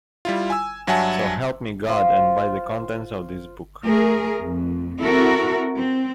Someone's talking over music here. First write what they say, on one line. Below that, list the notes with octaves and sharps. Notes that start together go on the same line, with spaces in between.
So help me God, and by the contents of this Book.
G3 E4 F4
G#5 E6
G2 F#3 E5 F#5 G#5 A5
F4 C5
A3 G#4 A#4
F2
C4 E4 F#4 A4 A#4
C4